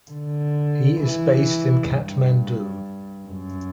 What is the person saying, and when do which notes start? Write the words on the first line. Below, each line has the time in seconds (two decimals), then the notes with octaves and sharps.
He is based in Kathmandu.
0.11 D3
1.01 E3
1.92 G2
3.28 F#2